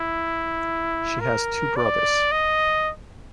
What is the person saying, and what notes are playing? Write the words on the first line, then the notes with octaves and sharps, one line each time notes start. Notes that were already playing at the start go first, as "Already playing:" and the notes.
She has two brothers.
Already playing: E4
A#4
D5
D#5